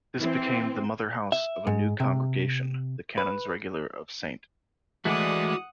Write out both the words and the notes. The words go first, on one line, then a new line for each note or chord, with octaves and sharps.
This became the mother-house of a new congregation, the Canons Regular of Ste.
E3 C4
E5
G#2
C3
B4
E3 G#3 A3 F#4 D5 F#5 D#6